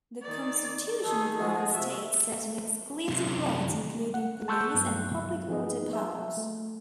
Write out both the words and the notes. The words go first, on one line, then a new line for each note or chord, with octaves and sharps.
The Constitution grants states certain exclusive rights including police and public order powers.
D#3 D5
D#3 G#4 A4
F3 G#3 F#4
C3 E5
F#2 C3
F#5
A5 C6 C#6 E6 F#6 G6
G2 F#3 B3 F#6
F3 D#4 G#4 D#5
E5
A3